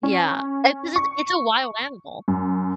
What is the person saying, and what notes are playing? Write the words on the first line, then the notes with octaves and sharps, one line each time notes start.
Yeah. Eh, because it it's a wild animal.
C#4
C#6
F#2